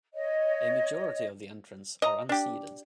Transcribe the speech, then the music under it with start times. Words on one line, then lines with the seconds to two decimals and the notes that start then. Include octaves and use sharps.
A majority of the entrants are unseeded.
0.13 C#5 D#5
2.02 D#5 A#5
2.29 D4 G4